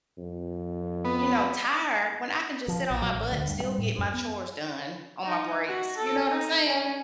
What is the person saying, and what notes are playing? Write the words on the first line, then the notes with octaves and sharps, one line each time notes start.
you know, tired, when I can just sit on my butt and still get my chores done on my breaks. You know what I'm saying?
F2
B3
F3
A#1
F#3
A1
D2
G2
G3
A2
F#2
B3
D#4
F#4
A4
D#4
C#4